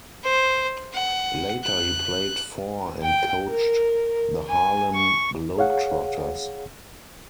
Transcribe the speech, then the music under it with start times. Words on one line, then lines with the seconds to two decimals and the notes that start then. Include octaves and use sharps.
Later he played for and coached the Harlem Globetrotters.
0.23 C5
0.93 F#5
1.63 F#6
3.03 G5
3.48 A#4
4.49 G#5
4.95 C#6
5.58 G#4 C#5 F5 F#5